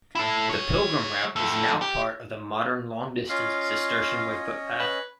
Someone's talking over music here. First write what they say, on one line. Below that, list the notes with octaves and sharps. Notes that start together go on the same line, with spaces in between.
The pilgrim route is now part of the modern long distance Cistercian Way footpath.
E4 A4
G#3 C#5
F2 A3
G4
C#4 F4 C#5 D#5
B4